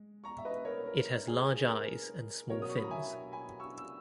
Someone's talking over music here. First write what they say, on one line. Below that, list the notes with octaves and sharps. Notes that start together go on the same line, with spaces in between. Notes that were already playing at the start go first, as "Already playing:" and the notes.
It has large eyes and small fins.
Already playing: G#3
A#5 C#6
E5
B4 D#5
A#4 C#5
A#4
G#4
A#4
B2 F#3 A#4 C#5
D#6
C#6
B5
A#5
E5 G#5
G#5 B5
C#6 E6
E6